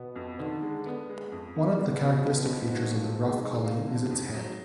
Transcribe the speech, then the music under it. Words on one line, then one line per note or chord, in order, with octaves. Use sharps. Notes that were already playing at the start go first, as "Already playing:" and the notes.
One of the characteristic features of the Rough Collie is its head.
Already playing: B2 B3
F2
D3 D#3
G#3
B3
G#3
F2
B3
B2 G#3
G#3
F3
F3
G#2 F#4
F3
G#3
G#3
A#3
D3
F2
F#3